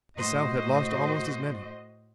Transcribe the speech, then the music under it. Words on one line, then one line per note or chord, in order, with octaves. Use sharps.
The South had lost almost as many.
A2 F#4 C5 D#5